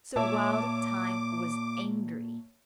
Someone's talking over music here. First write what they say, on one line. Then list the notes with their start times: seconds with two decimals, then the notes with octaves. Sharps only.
So Wild Thyme was angry.
0.16 A#2 C#5 E5 A5 D6